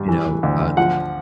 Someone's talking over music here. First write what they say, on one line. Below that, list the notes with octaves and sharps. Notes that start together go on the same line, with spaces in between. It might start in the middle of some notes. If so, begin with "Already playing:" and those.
you know, uh
Already playing: G2
E3
D2
F3 F#5